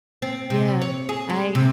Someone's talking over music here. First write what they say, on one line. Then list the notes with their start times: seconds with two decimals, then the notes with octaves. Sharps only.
Yeah, I
0.22 C4
0.50 C3
0.82 C#5
1.09 G#4
1.30 G#3
1.55 C3